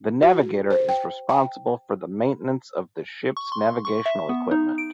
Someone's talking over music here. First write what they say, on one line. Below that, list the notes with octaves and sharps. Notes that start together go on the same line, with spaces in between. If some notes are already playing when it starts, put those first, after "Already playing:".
The navigator is responsible for the maintenance of the ship's navigational equipment.
F#4
C5
G5
G5
C#6
C6
C#6
E5
B3
D#4
D7